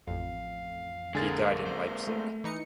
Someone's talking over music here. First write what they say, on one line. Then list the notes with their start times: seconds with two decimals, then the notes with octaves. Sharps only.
He died in Leipzig.
0.07 A1 F2 F5
1.15 D3 G#3 A#3 G#4 A6
1.65 C5
2.07 A3
2.44 E3 D#4 C#7